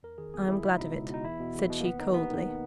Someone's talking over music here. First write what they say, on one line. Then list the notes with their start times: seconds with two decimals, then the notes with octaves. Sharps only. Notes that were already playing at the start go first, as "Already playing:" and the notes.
'I am glad of it,' said she, coldly.
0.03 E2 A#4
0.18 D#3 G#4
0.34 E2 G#4
0.48 D#3 E4
0.63 C#2 E4
0.78 B2 D#4
0.93 C#2
1.09 B2 D#4
1.24 E2 E4
1.40 B2
1.55 E2
1.70 B2
1.80 A#3
1.84 D#2 B3
1.99 D#3 D#4
2.14 D#2 B3
2.30 D#3